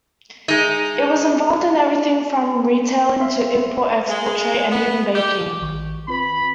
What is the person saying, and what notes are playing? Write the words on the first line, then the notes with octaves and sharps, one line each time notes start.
It was involved in everything from retailing to import-export trade and even baking.
G#3 D#4
C5 E5 F5 C6
G#3
B3
G4
A1 D#3 C#6
C4 F4 B4 B5